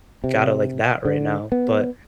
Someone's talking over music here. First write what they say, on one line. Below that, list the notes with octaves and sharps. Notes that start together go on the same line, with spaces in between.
got it, like, that right now." But,
C3
D3
B3